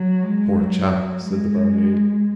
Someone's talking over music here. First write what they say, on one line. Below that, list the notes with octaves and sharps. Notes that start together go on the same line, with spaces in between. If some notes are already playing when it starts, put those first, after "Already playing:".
"Poor chap!" said the barmaid.
Already playing: F#3
G#3
F#3
G#3